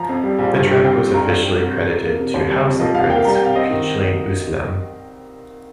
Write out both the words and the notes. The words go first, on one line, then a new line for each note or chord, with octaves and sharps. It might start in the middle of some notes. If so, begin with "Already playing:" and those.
The track was officially credited to House Of Prince featuring Oezlem.
Already playing: F3 A#5
F2
G3
A#1
G2
G3
C4 G5
C4
G2 A#5
G2
C4
C2
F2
F2
A#3
C3
D#2 C5
G3
F2
F3 D#5
C2 F5
A#3 G5
G3 A#5
G5
C2 F5
C4 D#5
D#3